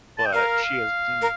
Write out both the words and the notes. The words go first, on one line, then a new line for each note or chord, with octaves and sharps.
But she has hmm
A5
G5
A#4 F5
A#4